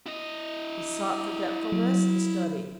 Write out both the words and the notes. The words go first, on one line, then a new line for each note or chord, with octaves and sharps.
He sought forgetfulness in study.
E4 D#5
F#3